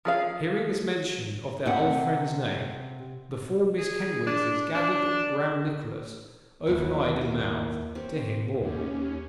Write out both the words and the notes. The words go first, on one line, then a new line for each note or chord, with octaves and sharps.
Hearing this mention of their old friend's name, the four Miss Kenwigses gathered round Nicholas, open eyed and mouthed, to hear more.
F3 G#4 F5
C3 F#5
G#4
D4
D4
D#2 E4 F#4 B4
A#3 A#4
C4 G4 C#5
D#2 C#4 G4